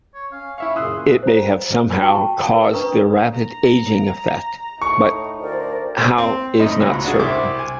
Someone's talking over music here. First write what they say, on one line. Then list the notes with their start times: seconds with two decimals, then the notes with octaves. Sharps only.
It may have somehow caused the rapid aging effect, but how is not certain.
0.15 C#5
0.32 C#4 F5
0.58 E4 E5 F5 C#6
0.76 F#2 A#2 C#3 C6 D#6 E6 F#6
1.23 C5 A#5
2.01 F#4 G5 A5 C#6
2.54 A#4
2.73 D4 B4 A#5 C#6 D#6
3.33 A#5
4.82 A2 D#4 C#6
5.40 D2 A#4 C5 D5
6.18 C4
6.59 F#2 A2 D#4
6.80 C#2 G#2 B2
7.05 D4 F#4 G#4
7.19 C2 E4 C5 D6
7.59 G#5